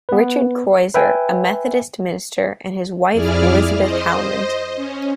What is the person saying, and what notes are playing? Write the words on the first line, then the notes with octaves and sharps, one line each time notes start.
Richard Crozier, a Methodist minister, and his wife, Elizabeth Hallimond.
B3 B4
B4 E5 G5 G#5
F2 E4 G#4 D5 F6
C5 D#5
C#4